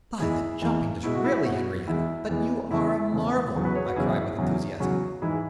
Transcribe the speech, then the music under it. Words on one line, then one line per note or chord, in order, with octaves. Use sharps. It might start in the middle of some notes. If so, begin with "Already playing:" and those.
"By the jumping Disraeli, Henriette, but you are a marvel!" I cried, with enthusiasm.
E2 E3 G#3 E4 G#4
E2 E3 G#3
B2 G#3 E4
F#4
E4 G#4
E4 G#4
B2 G#3 F#4
E2 E3 G#3 E4
E2 E3 G#3
E2 C#3 E3 G#3 E4
E2 C#3 E3 G#3
E2 C#3 F#3
F#4 B4
G#4 C#5
F#4 B4
E2 C#3 F#3 E4 G#4
E2 C#3 F#3
E2 C#3 F#3 F#4
G#2 E3 G#3 E4 G#4